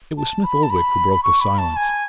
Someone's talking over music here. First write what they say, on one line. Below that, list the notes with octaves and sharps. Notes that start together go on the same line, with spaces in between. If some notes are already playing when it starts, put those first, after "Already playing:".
It was Smith-Oldwick who broke the silence.
A5
B5
A5
B5
C#6
B5
A5
G#5